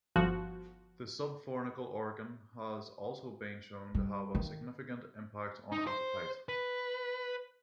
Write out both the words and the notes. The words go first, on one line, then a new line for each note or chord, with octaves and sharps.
The subfornical organ has also been shown to have a significant impact on appetite.
G1 F3 F#4
G3
D#3
D#4
C5
B4